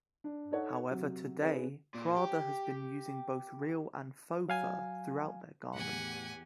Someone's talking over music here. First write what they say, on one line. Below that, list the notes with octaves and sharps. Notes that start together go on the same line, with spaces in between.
However, today, Prada has been using both real and faux fur throughout their garments.
D4
D#4 A4 C#5 F#5
C3 F#3
C4 D#4 E4 G#4 B4 C#5
A#2
G4
F#3 F5 G#5
E2 A2 G4 F#5 G#5